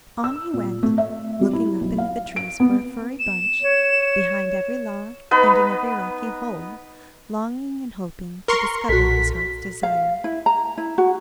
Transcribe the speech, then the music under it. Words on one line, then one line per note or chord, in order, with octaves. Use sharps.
On he went, looking up into the trees for a furry bunch, behind every log, and in every rocky hole, longing and hoping to discover his heart's desire.
E6
A#2
A3
E5
G3
E4
B1
F5
D7
B3
E7
C#5
B3 D#4 B4
A#4 C6 C#6
B1 A#2 F#4 A4 B6
F5
E4
A#5
E4
F#4